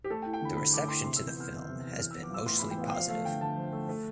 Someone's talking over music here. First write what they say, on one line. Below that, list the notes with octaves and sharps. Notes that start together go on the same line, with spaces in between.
The reception to the film has been mostly positive.
G4
A3 A4
G5
E4
G5
D3 B5
D3 B5
A3 D6
E4 C6
C3 C6
E6
E3
G6
B3 F6
E2
C3
E3
E3 F6
E6
B3
D6
F4 E6
A2 C6
E3 B5
G5
B3 F5
G5
F3 F5
A3 F5
D3 G5
D3 A5
F3
A3
A3